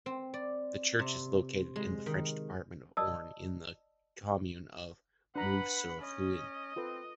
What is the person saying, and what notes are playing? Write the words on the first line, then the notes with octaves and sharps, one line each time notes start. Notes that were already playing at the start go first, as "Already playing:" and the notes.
The church is located in the French department of Orne, in the commune of Mauves-sur-Huisne.
C4
D5
C3
G#3
D#3
D5 D#5 A5 D#6 E6
D4 B4 F#5 A#5 B5
C#4 D#5
C4 F4 A4 B4